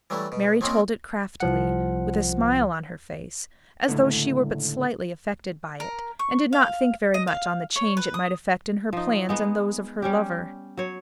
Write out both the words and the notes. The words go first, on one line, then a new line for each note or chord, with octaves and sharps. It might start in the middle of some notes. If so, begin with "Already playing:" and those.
Mary told it craftily, with a smile on her face, as though she were but slightly affected by it, and did not think very much on the change it might effect in her plans and those of her lover.
E3 F#3 G3 A3 E4
B2
F3 F#3 A#3 C4 C#4 D#4
C2 F3 F#5
C#2 A2 D3
A#4
C#6
F5
D#5
F5
C#5
B4
D#6
F3 D#4
G#3 B3 D#4
G3 C#4 G4
F#3 C#5